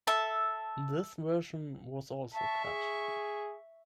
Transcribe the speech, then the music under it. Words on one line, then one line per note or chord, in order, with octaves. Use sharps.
This version was also cut.
A4 E5 A5
E5 A5 C#6
G#4